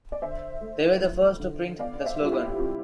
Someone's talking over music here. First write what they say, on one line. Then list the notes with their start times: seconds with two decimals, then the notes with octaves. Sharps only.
They were the first to print the slogan.
0.12 D5
0.22 D3 C5 E5
0.61 A3
1.01 F3
1.40 D3
1.79 B3 D5 F5
2.01 D5
2.05 C5 E5
2.19 G3
2.25 F4
2.32 E4 G4
2.58 C3 F4